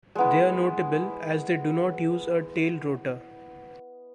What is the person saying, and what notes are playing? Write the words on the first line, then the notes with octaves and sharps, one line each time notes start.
They are notable as they do not use a tail-rotor.
G#3 B3 E4